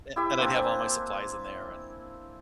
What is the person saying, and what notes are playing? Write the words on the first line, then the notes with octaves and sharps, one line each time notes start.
and and I'd have all my supplies in there, and
E4 G4 E5
A#3 C4 D4 G#5